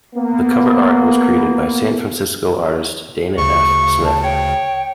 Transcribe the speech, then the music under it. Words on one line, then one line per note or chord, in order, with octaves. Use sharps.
The cover art was created by San Francisco artist Dana F. Smith.
A#3 B3
D2 C#3 C#6
A5
C#5 G5